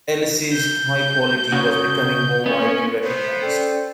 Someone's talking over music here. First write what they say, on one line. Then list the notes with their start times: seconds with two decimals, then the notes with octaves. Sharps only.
Ellis' high quality was becoming more widely recognized.
0.53 G6
1.52 C#3 F#4
2.46 B3 C#4
3.02 A3 B3 C5
3.42 C#4 A4 D5 G5